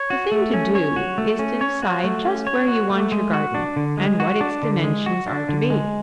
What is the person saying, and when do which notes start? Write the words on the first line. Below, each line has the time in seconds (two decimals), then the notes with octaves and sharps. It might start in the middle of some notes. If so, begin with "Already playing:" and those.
The thing to do is to decide just where you want your garden, and what its dimensions are to be.
Already playing: C#5
0.10 F#4
0.32 A3
0.54 C#4
0.75 C#5
0.96 F#4
1.18 A3
1.39 C#4
1.61 C#5
1.82 F#4
2.04 A3
2.26 C#4
2.47 C#5
2.68 F#4
2.90 A3
3.12 G#3
3.33 F#4
3.55 D4
3.76 D3
3.97 G#3
4.20 F#4
4.41 D4
4.63 D3
4.84 G#3
5.06 F#4
5.27 D4
5.49 D3
5.70 G#3